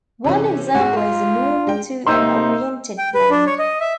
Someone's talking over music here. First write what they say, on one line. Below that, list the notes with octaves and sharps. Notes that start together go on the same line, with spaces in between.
One example is the normal to an oriented plane.
C3 E3 C#4
G#2 G#3 F#4
F4
G#3 G5
C3 A#3 D#4 C6 E6 G6
G5
B4
D4
C#5
D#5
E5